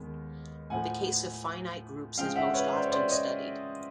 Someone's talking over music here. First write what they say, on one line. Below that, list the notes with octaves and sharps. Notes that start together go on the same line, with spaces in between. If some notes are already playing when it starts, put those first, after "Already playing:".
The case of finite groups is most often studied.
Already playing: D#2 D#3 G#3 B3
A2 F3 A3 F#5 G#5
C#3 F3 G#3 F5 G5
E5 F#5
B4 C#5
C5 D5
C#5
C5 D5
C#5 D#5